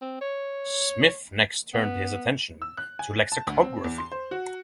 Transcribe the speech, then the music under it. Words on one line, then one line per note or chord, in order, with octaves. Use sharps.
Smith next turned his attention to lexicography.
C4
C#5
B3
E6
F#6
G#5
A5
D2
C4
E2
C6
C5
F#4